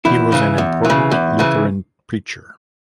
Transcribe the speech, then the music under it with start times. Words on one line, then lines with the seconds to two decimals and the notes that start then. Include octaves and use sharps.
He was an important Lutheran preacher.
0.05 E2 E4
0.32 C#3 E3
0.58 E2
0.85 E3
0.90 C#3
1.11 E2
1.39 C#3 E3